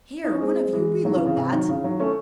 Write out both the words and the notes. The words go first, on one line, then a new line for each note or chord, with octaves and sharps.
Here, one of you, reload that.
D#4
C#4
G#3 C4
E3 G#3
D#3 F#3
C#3 E3
C#3
C3
D#3 F#3
C#3
D#3 F#3
A3 C#4